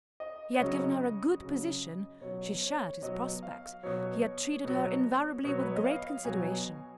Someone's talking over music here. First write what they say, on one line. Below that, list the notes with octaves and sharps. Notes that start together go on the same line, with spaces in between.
He had given her a good position--she shared his prospects--he had treated her invariably with great consideration.
D#5
C#5
C#3 F#3 D#5
C#3 F#3
B2 F#3 C#5
C#5
B2 F#3 D#5
F5
B2 F#3 C#5
B2 F#3
B2 F#3 C#5
B4
C#5
D#5
F5
B2 F#3 G#5